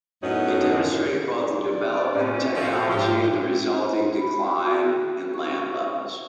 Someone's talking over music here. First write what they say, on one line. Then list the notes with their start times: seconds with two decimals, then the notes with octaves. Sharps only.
They demonstrate both the development of technology and the resulting decline in land levels.
0.22 F#2 A2 B3 D#4 F#4 C#5
1.64 D5
2.15 A2 C#4
2.55 F3 F#4 A4
2.89 G#2 F3 G4 G5
4.18 B5
4.60 F#4
5.34 C#6